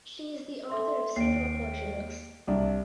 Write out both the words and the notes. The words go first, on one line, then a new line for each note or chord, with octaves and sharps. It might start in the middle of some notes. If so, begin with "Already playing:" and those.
She is the author of several poetry books.
A4 E5 C6
D#2 C7 D7
C2 D4